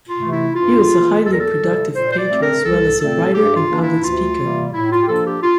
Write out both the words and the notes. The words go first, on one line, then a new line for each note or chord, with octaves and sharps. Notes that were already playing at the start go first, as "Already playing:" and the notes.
He was a highly productive painter as well as a writer and public speaker.
F4
C3 E3 A3
E4
G2 F4
E3 A#3
E2 A4
A#4
A4
C3 G3
A#2 C5
C5
D5
A3 C4
A#4
C2 A4
A#2 A3 C4 A4
G2 G4
F4
E3 A#3 D4
E4
D2 F4
C3 E3 G3 A#3
A2 E4
F4
G4
F3 A#3 D4 A4
G4
F4